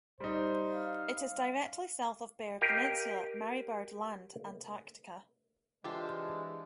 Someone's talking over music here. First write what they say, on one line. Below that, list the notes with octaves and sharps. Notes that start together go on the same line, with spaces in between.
It is directly south of Bear Peninsula, Marie Byrd Land, Antarctica.
G3 D#4 C5
F5
G4 A#4 D#5 F5
E3 G#3 D4 F4 G4 A4 C5